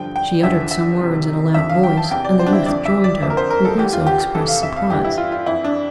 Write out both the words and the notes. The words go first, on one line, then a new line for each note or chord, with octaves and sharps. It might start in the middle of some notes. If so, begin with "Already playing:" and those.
She uttered some words in a loud voice, and the youth joined her, who also expressed surprise.
Already playing: G2 D3 F3 G5
G5
E2 D3 F3 E5
E5
C2 C3 F3
F2 D3 F3 E5
F5
G5
A5
E2 C3 E3 G5
D5
C5
D4
E4
F2 D3 F3 D5
E5
D5
F2 D3 F3 E5
A#4
C5
A#4
A4
E2 E3 G4
F4
G4
G4
F2 C3 E3 A4
F5
E5
F5
G2 E3 G4
E4
F4
F4
F2 E3 E4
D4